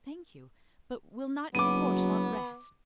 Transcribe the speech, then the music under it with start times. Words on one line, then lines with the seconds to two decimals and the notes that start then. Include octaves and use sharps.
"Thank you; but will not your horse want rest?"
1.55 F#1 F#3 B3 D6 D#7